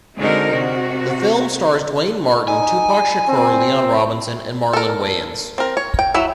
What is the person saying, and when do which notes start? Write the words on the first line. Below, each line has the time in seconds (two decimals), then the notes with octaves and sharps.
The film stars Duane Martin, Tupac Shakur, Leon Robinson and Marlon Wayans.
0.16 D3 G#3 C4 D#4 F#4 A#4
0.52 C3 F#4
2.48 D#4 G#5
3.29 C4
4.73 A4 A#4
5.58 C4 A#4
5.77 C#5
5.99 G5
6.14 F#3 E4 E5